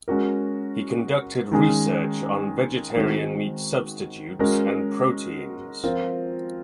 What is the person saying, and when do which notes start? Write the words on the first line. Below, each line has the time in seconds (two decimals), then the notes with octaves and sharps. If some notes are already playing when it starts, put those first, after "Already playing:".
He conducted research on vegetarian meat substitutes and proteins.
0.08 G#3 C#4 F#4 A#4
1.51 D#3 G#3 C#4 G#4
2.96 D#3 G#3 C4 F#4
4.39 G#3 C#4 F#4 A#4
5.84 F3 C4 F4 A#4